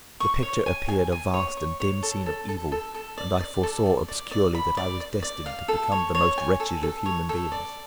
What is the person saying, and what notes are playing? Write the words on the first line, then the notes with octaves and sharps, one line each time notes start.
The picture appeared a vast and dim scene of evil, and I foresaw obscurely that I was destined to become the most wretched of human beings.
C#6
C#5
G#5
G#5
G#5
C#5
C#6
C#5
A4
A4
A4
A4
A4
D5
D5
A4
D5
D5
D5
B5
D5
D5
D5
F5
A4
C#5
C#5
G#5
A4
A4
C#5
A4
D5